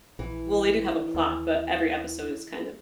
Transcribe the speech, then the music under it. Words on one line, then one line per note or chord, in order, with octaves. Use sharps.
Well, they do have a plot, but every episode is kind of
A#1 E3
D#2